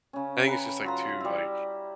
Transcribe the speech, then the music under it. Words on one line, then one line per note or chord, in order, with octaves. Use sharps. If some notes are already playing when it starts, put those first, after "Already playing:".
I think it's just, like, too, like
C#3 C#4
B4 G5 A#5 B5
F#3 F4 A#5
G3 E4